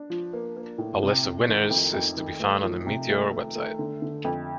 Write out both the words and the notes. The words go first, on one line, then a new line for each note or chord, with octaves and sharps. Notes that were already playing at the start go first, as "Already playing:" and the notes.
A list of winners is to be found on the Meteor website.
Already playing: D4
F3
A#3
A#3
A2
C3
F2
D#3
F2
F2
D#3
A3
F3
C3
A3
A3
A3
D3
D3
F2